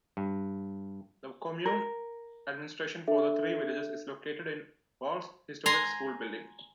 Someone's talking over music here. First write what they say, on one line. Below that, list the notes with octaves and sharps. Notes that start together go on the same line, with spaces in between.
The commune administration for the three villages is located in Wahl's historic school building.
G2
A#4
D4 A4 E5
G#5 A#5 C6